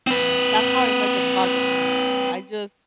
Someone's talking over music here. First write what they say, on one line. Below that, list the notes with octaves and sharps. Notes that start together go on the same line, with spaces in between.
that's how I measure progress now. I just
C4 B4